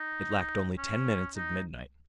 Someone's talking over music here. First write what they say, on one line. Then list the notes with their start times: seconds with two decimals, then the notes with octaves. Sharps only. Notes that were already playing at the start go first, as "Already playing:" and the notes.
It lacked only ten minutes of midnight.
Already playing: D#4
0.78 C#4
1.36 D#4